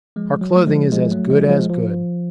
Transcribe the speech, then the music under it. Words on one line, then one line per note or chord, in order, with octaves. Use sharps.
'Our clothing is as good as good.
F3 G#3
F#3
A3
F3 G#3
F3 G#3
F#3 A3
F3 G#3
F#3
F3 G#3
F3